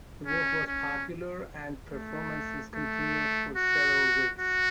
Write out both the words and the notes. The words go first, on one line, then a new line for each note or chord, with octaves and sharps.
The work was popular and performances continued for several weeks.
C#4
C#4
A3
A3
F#4
F#4